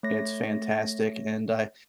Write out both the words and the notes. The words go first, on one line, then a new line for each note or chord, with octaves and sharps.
it's fantastic, and I
A3 C#5 A#6